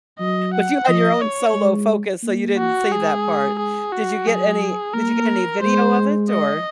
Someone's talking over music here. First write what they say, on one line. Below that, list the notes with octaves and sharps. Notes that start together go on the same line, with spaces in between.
But you had your own solo focus, so you didn't see that part. Did you get any Did you get any video of it, or
F#3 D#5
F#5
F3 D#5
C#5
G#3
A#3
F#4
G#3 G#4
G#4
F#4
F#3 G#4
A#3 A#4
G#3 C5
D#5